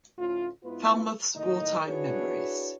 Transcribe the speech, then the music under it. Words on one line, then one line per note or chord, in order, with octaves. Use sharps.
Falmouth's Wartime Memories.
D2 A2 C#4 F4
G#2 B3 E4 F4 B4
D#2 A2 D#3 D#4 D#5
D4 E4 F#4 G#4 B4 C#5